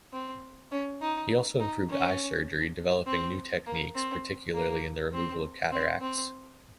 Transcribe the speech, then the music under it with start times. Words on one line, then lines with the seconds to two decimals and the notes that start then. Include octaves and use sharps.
He also improved eye surgery, developing new techniques, particularly in the removal of cataracts.
0.13 C4
0.72 C#4
1.01 D#4
1.60 D#4
1.89 C#4
3.07 C4
3.66 A#3
3.95 C4
4.54 A#3
5.13 C4
5.72 C4
6.01 C4